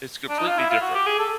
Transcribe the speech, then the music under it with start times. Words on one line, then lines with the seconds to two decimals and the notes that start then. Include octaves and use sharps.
It's completely different,
0.29 D4
0.38 D#4
0.47 F4
0.57 E4
0.70 F4
0.81 F#4
0.94 G4
1.06 G#4
1.19 A4